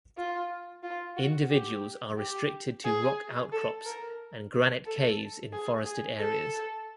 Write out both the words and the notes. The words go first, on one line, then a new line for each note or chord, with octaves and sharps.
Individuals are restricted to rock outcrops and granite caves in forested areas.
F4
F4
F#4
G4
G4
G#4
A4
A#4
A4
G#4
G#4
A4